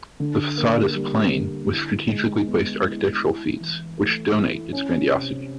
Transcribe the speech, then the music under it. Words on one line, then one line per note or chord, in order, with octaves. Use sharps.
The facade is plain with strategically placed architectural feats which donate its grandiosity.
D3
A#3
G3
D3
E4
G#3
B3
E4
E4
E3
A3
E4
C#4
C3